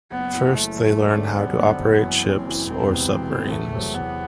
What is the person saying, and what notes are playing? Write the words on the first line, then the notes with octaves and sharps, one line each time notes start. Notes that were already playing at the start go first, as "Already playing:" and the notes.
First, they learn how to operate ships or submarines.
F#1 B3
F#2 E3
F#1 A3
F#2 E3
F#2
D3 G3 C4
F#2 B3
D3 G3 C4
F#1
F#2 E3
F#1 C4
F#2 E3
E1 C4
E2 C3 E3 B3
E1
E2 C3 E3 B3
E2 A3
C3 F#3
E2 B3